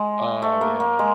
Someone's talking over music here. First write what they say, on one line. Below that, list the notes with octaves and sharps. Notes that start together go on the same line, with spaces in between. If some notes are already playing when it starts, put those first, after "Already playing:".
Oh, yeah.
Already playing: G#3
A3
A#3
A#3
G#3